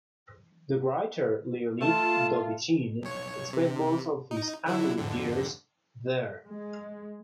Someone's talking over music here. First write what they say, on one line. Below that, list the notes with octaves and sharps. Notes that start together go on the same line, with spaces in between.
The writer Leonid Dobychin spent most of his adult years there.
A3 F4 A5
B1 C#5
C3
D#4
D3 F#3 E4
F2 G#2 D3
G#3